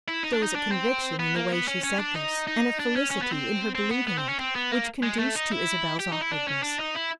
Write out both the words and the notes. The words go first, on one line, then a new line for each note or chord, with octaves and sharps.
There was a conviction in the way she said this, and a felicity in her believing it, which conduced to Isabel's awkwardness.
E4
D#4
D4
D#4
D4
C4
B3
A#3
B3
C#4
C#4
D4
D#4
D#4
D4
C#4
C#4
B3
C4
C4
B3
B3
C4
C#4
C4
B3
A#3
G#3
A3
D#4
E4
G4
D#4
E4
D4
C#4
D4
D#4
E4